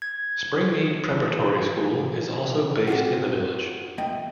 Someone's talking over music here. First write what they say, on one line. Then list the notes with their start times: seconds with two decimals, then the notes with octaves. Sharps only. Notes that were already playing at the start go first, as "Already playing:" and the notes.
Springmead Preparatory School is also based in the village.
0.02 G#6
1.11 E3 F3
2.87 C4 D4 F4 F#4
3.98 E2 A3 D#5 G5